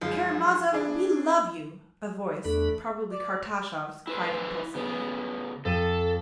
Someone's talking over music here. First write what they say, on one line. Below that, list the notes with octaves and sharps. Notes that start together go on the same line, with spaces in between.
"Karamazov, we love you!" a voice, probably Kartashov's, cried impulsively.
F#2 F3 G#3
D4 E4 G#4
E2 A3 D4 B5
D5
E4 B4 C5
C#3 B3
F2 A4 D#7